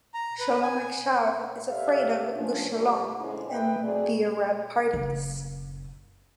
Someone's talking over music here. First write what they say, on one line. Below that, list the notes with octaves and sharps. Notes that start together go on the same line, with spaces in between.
"Shalom Achshav" is afraid of "Gush Shalom" and the Arab parties.
A#5
B4
G#5
G4 A4 C#5 D5 E5 F5
F3 C#4 D4
F2 A#2 D3 E3 G3 A3
F2 D3 G#3 C4 C#4 E4
B4 D#5 E5 G5
F#3 C4 G#4 A4 D5
F#1